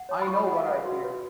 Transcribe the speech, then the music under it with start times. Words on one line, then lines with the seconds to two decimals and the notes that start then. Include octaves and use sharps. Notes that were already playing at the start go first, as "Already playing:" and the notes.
I know what I hear.
Already playing: F#5
0.09 C#5
0.22 B5
0.28 F4 C#6
0.37 B5
0.47 F4 F#5
0.56 F5
0.66 B4 F#5
0.85 F#4
1.04 B4